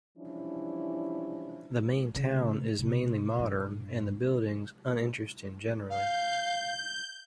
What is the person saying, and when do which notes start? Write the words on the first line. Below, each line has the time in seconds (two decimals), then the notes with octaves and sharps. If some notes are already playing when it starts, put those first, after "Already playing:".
The main town is mainly modern and the buildings uninteresting generally.
0.18 E3 F3 G3 C#4 D4 E4
2.15 C#3 A3
2.79 C3 G#3
3.39 A#1 G2
5.90 F5 G6